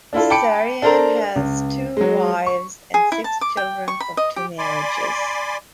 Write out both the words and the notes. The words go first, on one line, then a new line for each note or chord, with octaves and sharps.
Vissarion has two wives, and six children from two marriages.
D4 E4 F4 A4
G5 A5 B5 D6 C#7 D7
D4 A4 A#4 C5 A5 A#5
C#2
F#3 G#3
C#6
G#4
E4
A5
D6
G5
C#6
B5
D#5
G4
D5 G#5 B5 C6 D6